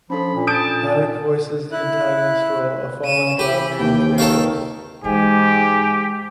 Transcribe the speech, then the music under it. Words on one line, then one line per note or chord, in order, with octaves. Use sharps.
Havok voices the antagonist role, a fallen god named Dragos.
F3 C#4 D4 A4 B5
A#2
A#2 A5 D#6 G6 D7
E4 F#6
C#4 D#7 E7
E3 G4 B5
D#2 G5
D#3 A4 C#5 F5
G#2 E3 G#3 G4 G#5